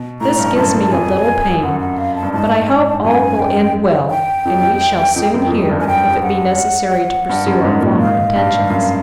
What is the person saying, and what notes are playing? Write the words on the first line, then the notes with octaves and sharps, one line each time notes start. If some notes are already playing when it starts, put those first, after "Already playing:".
This gives me a little pain; but I hope all will end well, and we shall soon hear, if it be necessary to pursue our former intentions.
Already playing: B2
A2 A#5
G2
F#2 A5
F#2
F2 G#5
F#2 F#5
F#5
F5
A5
G2
G#2 A5
F#2 G#5
G5
G5
F2
F2
F2
F#2
F2
F#2
G2
G#5
G5
F#5
G2
F#2
G#2
A#2
G#2 F5
G2
F#2